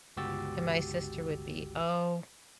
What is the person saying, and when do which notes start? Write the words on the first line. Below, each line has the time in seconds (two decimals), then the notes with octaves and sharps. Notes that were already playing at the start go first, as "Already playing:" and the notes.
And my sister would be, "Oh,
0.17 G1 C#2 F#4 G4 E6 A6